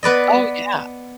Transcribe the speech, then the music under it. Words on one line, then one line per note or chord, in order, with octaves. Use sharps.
Oh, yeah.
B3 B4 D5 D#5